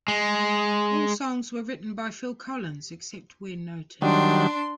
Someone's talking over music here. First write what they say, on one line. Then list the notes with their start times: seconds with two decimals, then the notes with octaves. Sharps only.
All songs were written by Phil Collins, except where noted.
0.08 G#3
4.02 D#3 F#3 G3 D4 C6